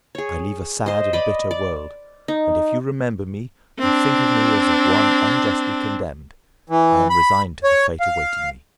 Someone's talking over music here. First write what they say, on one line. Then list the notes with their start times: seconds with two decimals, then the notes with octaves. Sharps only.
I leave a sad and bitter world; and if you remember me and think of me as of one unjustly condemned, I am resigned to the fate awaiting me.
0.15 G#4 C#5
0.86 C5 D#5
1.13 D5 D#5 B5
1.51 D5
2.28 D#4
3.79 C4 D4
6.69 E3
7.10 B5
7.64 C#5
8.00 F5